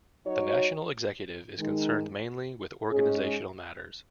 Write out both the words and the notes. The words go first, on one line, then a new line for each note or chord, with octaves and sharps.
The National Executive is concerned mainly with organisational matters.
F#3 D#4 F#4 C#5
D#3 G#3 D#4
G#2 G#3 C#4 G#4